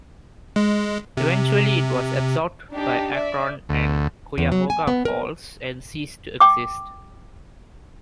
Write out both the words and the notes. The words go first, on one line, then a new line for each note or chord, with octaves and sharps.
Eventually it was absorbed by Akron and Cuyahoga Falls and ceased to exist.
G#3
C3
D4 D#4 G4
D5 E5
D2
E2
F#3
G#5
B3
A#4
G5 D6